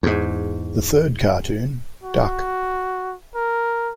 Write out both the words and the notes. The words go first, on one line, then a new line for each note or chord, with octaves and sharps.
The third cartoon, Duck!
E2 G#2
F#4
A#4